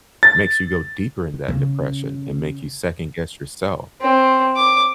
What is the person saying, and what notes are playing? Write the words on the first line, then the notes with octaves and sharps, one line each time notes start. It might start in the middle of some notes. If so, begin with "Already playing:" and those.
makes you go deeper into that depression and make you second guess yourself.
A6
C#3
C4
D6